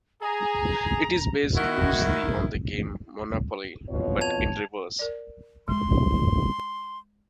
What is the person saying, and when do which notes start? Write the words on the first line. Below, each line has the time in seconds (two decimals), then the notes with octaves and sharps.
It is based loosely on the game Monopoly, but in reverse.
0.21 G#4 A#5
1.55 D#3 E4 F#4
3.87 F2 B2 C#5
4.21 A5 G#6 F7
4.99 A#4 D5
5.68 G#3 C6